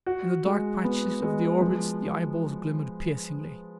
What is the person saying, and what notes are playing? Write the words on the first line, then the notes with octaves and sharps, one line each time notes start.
In the dark patches of the orbits the eyeballs glimmered piercingly.
F#4
G#3
B3
G#3
F3